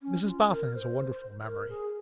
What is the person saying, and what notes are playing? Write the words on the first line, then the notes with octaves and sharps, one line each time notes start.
Mrs Boffin has a wonderful memory.
C#4
F4
A#4
C5
A#4
G#4